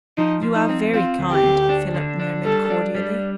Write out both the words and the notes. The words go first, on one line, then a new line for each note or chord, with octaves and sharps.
"You are very kind," Philip murmured cordially.
F3 D#4
F3
D#4
C4
C4 F4
D2
G4
D2
D4
D3
D4
G3 A4
D4
G3